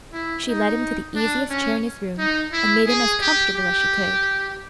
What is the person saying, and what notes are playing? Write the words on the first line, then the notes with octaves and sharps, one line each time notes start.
She led him to the easiest chair in his room and made him as comfortable as she could.
E4
D#4
D4
C#4
D#4
E4
G#4
G4
G4